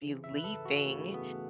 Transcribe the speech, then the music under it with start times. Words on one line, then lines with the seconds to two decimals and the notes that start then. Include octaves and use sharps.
be leaving,
0.02 C#3 E3
0.24 E5
0.37 B4
0.44 A4
0.65 F#4
0.86 C#3 E3 A3
1.14 B3